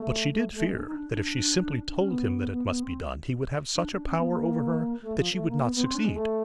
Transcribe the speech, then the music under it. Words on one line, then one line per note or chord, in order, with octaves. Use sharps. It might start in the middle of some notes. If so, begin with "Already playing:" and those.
But she did fear that if she simply told him that it must be done, he would have such a power over her that she would not succeed.
Already playing: A3
A3
A3
G#3
D4
D#4
D4
D4
D4
C#4
B3
B3
B3
C4
D4
D4
C#4
B3
A#3
A3
F3
A3
A#3
B3
B3
C4
D4
G#3
A3